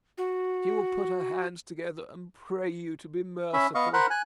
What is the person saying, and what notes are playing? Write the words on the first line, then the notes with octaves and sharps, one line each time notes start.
She will put her hands together and pray you to be merciful.
F#4
C#4 E5 B5
B3 D#5 F5 C#6
A#4 C5 F#5 B5 F#6
G#5 F#6